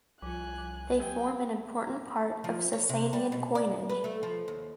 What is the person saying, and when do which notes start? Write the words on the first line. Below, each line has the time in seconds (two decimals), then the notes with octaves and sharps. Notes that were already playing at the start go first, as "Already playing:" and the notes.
They form an important part of Sasanian coinage.
0.22 C2 F3 F4 G#5 F#6
0.58 F3
1.00 F#3 G4 C5 G5 G#5
2.44 F3
2.73 C#5
2.89 C3
3.13 G3
3.32 B2
3.55 D5
3.89 B4
4.04 A3
4.23 F3
4.48 D#2